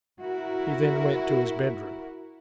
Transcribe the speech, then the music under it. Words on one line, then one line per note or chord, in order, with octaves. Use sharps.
He then went to his bedroom.
E4 F#4 A#4